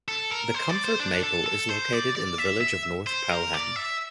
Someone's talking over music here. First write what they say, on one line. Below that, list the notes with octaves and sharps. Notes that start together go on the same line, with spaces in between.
The Comfort Maple is located in the village of North Pelham.
A4
A#4
C5
D5
C5
D4
A4
A4
C5
D5
D5
E5
E5
C5
A#4
D5
E5